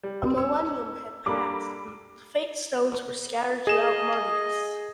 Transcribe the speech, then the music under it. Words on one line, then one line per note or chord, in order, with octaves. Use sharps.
A millennium had passed, and the Fatestones were scattered throughout Mardias.
G3
C#5 E6
G3 A#3 D4 A4 B5 D6
G#4 D#5 E7